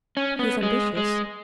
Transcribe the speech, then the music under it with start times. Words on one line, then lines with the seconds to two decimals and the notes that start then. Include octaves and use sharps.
"He is ambitious."
0.17 C#4
0.39 B3
0.63 G#3
0.97 G#3